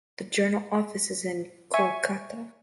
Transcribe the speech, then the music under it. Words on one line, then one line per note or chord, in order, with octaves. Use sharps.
The Journal office is in Calcutta.
E5 G#5 C#6